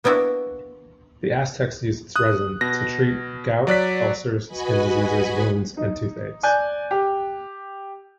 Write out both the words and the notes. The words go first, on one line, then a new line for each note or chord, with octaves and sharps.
The Aztecs used its resin to treat gout, ulcers, skin diseases, wounds, and toothaches.
A#3 B3 D4 E4 F#4
D#6 F#6
B2 A#6
F#3 D5 F#6 B6
F#4 B4 D#5 G#5 B5
D#4
D5 G#5 F#6 G6
G4